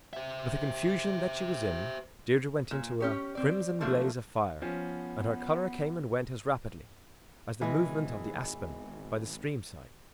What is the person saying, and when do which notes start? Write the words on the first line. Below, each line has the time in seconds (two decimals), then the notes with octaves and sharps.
With the confusion that she was in, Deirdre went into a crimson blaze of fire, and her colour came and went as rapidly as the movement of the aspen by the stream side.
0.13 C5 E5
2.71 A#2
3.00 C#4 G4 C#5
3.35 C4 D5
3.81 D3 F3 F#3 A3 A#3
4.62 F3 B3 C#4
7.61 G#1 B2 E3 G#3